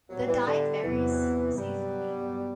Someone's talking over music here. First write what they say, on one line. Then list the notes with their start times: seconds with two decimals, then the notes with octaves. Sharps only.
The diet varies seasonally.
0.09 A2 F#3 G3 B3
0.27 E3
0.46 D3
0.83 E2 C3 E3 F#3 B3
1.56 G2 F#3 G3 B3